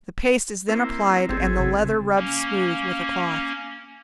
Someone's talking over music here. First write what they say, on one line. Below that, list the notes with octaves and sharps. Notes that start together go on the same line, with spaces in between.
The paste is then applied, and the leather rubbed smooth with a cloth.
A#3 C4 E4
G#1 A3 C4 E4 G#4
C#3
A#3 C#4